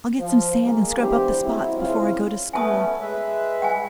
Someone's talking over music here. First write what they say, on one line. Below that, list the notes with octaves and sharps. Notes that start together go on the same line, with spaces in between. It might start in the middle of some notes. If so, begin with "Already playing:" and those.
I'll get some sand and scrub up the spots before I go to school.
F3
G#3 A#3
E3 B3 D4 G4 C5
F#3 G#3 C4 E4
C#3 C4 E4 F4
A3 B3 C#4 G#5 A5 D#6
G#3 B4 E5
G5 G#5